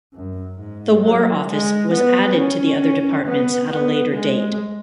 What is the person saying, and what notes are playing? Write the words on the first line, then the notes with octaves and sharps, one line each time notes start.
The war office was added to the other departments at a later date.
F#2
G#2
F#3
G#3
B3
C#4
B3
B3
G#3